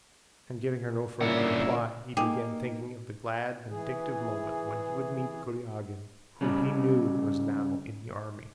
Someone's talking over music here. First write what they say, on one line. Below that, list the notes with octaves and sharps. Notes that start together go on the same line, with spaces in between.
And giving her no further reply, he began thinking of the glad vindictive moment when he would meet Kuragin who he knew was now in the army.
G2 A#2 C#3 A#3 E4 D5 F#5
A#3 D#4 G4 G#4
E3 G#4
C#3 G3